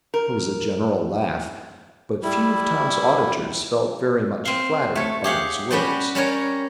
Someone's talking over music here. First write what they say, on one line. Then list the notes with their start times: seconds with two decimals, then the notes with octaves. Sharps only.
There was a general laugh, but few of Tom's auditors felt very much flattered by his words.
0.14 A#4
2.23 G3 E4
4.45 C4 F5
4.95 A3 C#5
5.24 G4 G#4 F5 F#5
5.70 G3 C#4 F#4 B4 D5 G5
6.15 G3 C#4 A#4 C#5